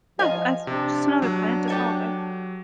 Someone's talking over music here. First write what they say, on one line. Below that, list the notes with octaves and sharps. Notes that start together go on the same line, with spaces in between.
yeah, that's just another plant, it's all good.
F3 D#5 F5 G#5
C3 D4
F#3 D4
G4 A4 G#5